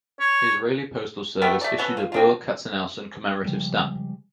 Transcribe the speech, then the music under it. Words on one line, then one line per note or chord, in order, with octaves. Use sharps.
Israeli Postal Service issued a Berl Katzenelson commemorative stamp.
C#5
D3 A3 B3 G4
A3 D5
B3 C#4 F#4 A4
F4
C4 D4 F4
C#3 F3 G3 G#3